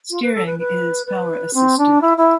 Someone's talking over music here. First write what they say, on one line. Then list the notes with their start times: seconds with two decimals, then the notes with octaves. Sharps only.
Steering is power assisted.
0.10 F4
0.22 B4
0.34 A4
0.46 B4
0.59 B4
1.06 B4
1.54 C4
1.78 D4
2.01 E4
2.17 E4